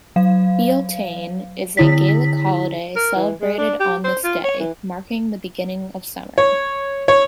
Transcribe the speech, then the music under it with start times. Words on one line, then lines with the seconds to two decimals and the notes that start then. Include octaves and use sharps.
"Bealtaine" is a Gaelic holiday celebrated on this day, marking the beginning of summer.
0.16 F#3 F5
1.77 D3 E4 B6
2.96 A#4
3.16 E3
3.41 G#3
3.58 D4
3.80 G4
4.04 C5
4.24 F4
4.44 C#5
4.59 E3
6.38 C#5
7.08 C#5